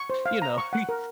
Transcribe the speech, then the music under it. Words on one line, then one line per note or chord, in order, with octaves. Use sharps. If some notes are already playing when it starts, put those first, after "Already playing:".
you know, he
Already playing: C#6
C5
F5
A#5
C#6
F#5
A#4